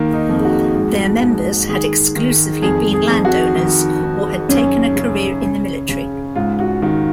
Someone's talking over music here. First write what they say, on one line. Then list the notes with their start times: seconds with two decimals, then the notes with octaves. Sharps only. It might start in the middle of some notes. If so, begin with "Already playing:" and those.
Their members had exclusively been landowners or had taken a career in the military.
Already playing: D#3 A#3
0.13 D#4
0.29 F2
0.45 F#4
0.76 G#2
1.22 G#2
1.69 D#3 G#4
2.16 D#3
2.62 F2 G#4
2.93 G#4
3.09 F2
3.25 F#4
3.56 D#3
4.02 D#3
4.49 F#2 C#4
4.96 C#3
5.42 C#3
5.89 C#3
6.35 G#2 F4
6.60 F#4
6.82 D#3 F#4